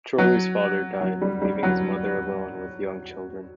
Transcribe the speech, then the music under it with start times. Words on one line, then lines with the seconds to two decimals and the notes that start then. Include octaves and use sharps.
Chorley's father died, leaving his mother alone with young children.
0.18 F#3
1.01 F#3
1.21 G3
1.42 G3
1.63 F#3